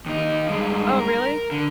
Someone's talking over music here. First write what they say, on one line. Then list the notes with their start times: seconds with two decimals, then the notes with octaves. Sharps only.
Oh, really?
0.06 D#2 D#4
0.48 G2 G#3
0.99 A#4
1.51 D3